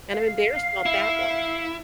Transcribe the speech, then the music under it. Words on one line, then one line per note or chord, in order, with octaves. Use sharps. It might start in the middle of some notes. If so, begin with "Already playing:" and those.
and I'm embarrassed about that one.
F5
E4